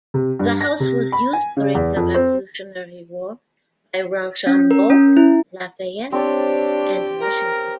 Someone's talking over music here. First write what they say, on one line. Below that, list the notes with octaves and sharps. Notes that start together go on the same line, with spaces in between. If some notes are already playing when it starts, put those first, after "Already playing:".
The house was used during the Revolutionary War by Rochambeau, Lafayette, and Washington.
C3
G2
A#6
C3
B5
G#5
C#3
E2
F2
C4
C#4
A#4
C#4
E4
C4 D4 G4 C#5 D5
A#4